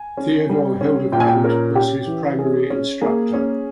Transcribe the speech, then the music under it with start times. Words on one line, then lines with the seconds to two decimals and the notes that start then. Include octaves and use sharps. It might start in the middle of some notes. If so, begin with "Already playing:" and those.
Theodor Hildebrandt was his primary instructor.
Already playing: G#5
0.17 C#4
0.49 G3
0.81 C#4
1.12 A#2 G5
1.20 G#5
1.27 G5
1.44 C#4 A#4
1.75 C#4 G4
2.07 E3
2.39 C#4 G#4
2.70 C#4
3.01 A#3 G#4
3.34 C#4